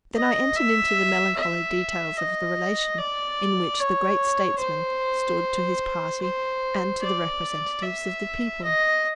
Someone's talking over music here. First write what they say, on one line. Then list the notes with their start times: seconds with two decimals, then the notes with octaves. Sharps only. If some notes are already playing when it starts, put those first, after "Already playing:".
Then I entered into the melancholy details of the relation in which the great statesman stood to his party and to the representatives of the people.
0.16 D#5
0.56 E5
1.37 E5
2.17 D#5
2.98 D5
3.79 C#5
4.59 C5
6.22 C5
7.01 D5
7.83 E5
8.63 D#5